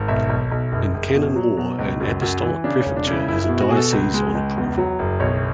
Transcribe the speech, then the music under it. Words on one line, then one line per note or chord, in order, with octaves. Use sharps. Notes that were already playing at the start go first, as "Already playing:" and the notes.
In canon law an apostolic prefecture is a diocese on approval.
Already playing: G#1
B1 E5
B1
B1
F#1
F#1
B2
F#3
B2
C#2
F#2
F#2
E3
C#3 D4
C#4
E1
D4
C#3 E4
F#1 E4
B2 E4
F#4
B2 G#4
A4
C#2
G#3
C#2
E2
F#3
F#1
B1 C#5